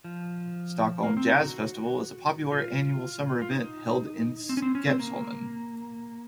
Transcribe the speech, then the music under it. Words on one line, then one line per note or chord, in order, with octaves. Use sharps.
Stockholm Jazz Festival is a popular annual summer event held on Skeppsholmen.
F3
A#3
C4
D#4
F#4
F4
F4
D#4
C4
C#4
C4
C#4
C4
A#3